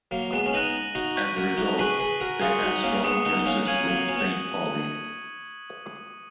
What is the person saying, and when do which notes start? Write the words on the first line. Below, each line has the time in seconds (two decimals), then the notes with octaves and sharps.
As a result, they have strong friendships with Saint Pauli.
0.11 F#3 A#3
0.32 G#3 B3
0.46 C#4
0.53 B3 D#4 F#6 A#6 D#7 F#7
0.95 D#4 F#4
1.16 C#6 F#6 B6 D#7 F#7
1.37 F#4 A#4
1.57 D#4 F#4
1.79 G#4 B4 C#6 F#6 B6 D#7 F#7
1.99 G#4 B4
2.21 F#4 A#4
2.41 F4 G#4 D#6 F#6 C#7
2.62 D#4 F#4
2.83 A#3 C#4
2.94 A#3
3.04 G#3 B3 D#6 F#6 C#7
3.25 B3 D#4
3.39 D#4
3.46 A#3 C#4
3.67 A#3 C#4 G#6 D#7 F#7
3.87 F#3 A#3
4.09 C#4
4.16 B3